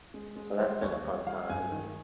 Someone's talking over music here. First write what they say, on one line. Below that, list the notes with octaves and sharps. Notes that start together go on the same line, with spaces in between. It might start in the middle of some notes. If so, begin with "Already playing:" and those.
And so that's been a fun time, and,
G#3
G#3
G3 C5
D#2 C#5
G3 C#5
G3 F5
G2 G#5
D#3